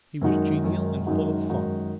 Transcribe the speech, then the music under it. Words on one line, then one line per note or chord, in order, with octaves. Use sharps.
He was genial and full of fun.
F#2 D#3 G#3 D#4 F#4
F#2 D#3 G#3 D#4 F#4
F#2 D#3 G#3 D#4 F#4
F#2 D#3 G#3 D#4 F#4